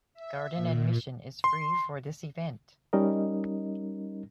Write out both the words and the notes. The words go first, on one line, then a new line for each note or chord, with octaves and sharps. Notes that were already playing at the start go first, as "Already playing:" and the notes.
Garden admission is free for this event.
E5
A#2
C6
G3 C#4 D#4 A#4 D#5